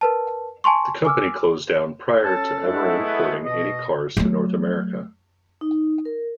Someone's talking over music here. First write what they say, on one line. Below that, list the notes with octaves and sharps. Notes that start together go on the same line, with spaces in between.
The company closed down prior to ever importing any cars to North America.
A#4 B4 A5
G#5 A5 C6 C#6
G#5 D6 E6 F6
C#4 A4 A5
G#3 A3 D4 E4 A4 F#5
B3
B2 D#5
F#3 A3
D#4
A#4